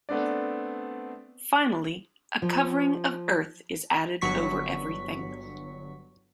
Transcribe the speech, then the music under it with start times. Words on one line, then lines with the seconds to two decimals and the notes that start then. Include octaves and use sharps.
Finally, a covering of earth is added over everything.
0.09 A3 B3 C4 D4 D5
2.42 F3
4.21 G1 F#3 C#6 B6